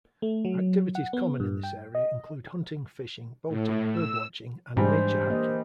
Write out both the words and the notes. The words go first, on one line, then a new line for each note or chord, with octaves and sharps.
Activities common in this area include hunting, fishing, boating, bird watching and nature hiking.
A3
F#3
F#5
B3
G2
G5
D#5
A2
E6
G#2 E3 G3 G#3 D4 G4 C5
A#3 D#5